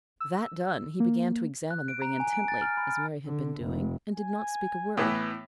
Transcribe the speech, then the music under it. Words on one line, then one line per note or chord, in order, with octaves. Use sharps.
That done, he began to examine the ring intently, as Mary had been doing, and did not speak a word.
E6
A#3
F#6
D7
A#5
G#5
D7
A6
F6
B5
F6
D3
F1
G#5
A2 E3 B3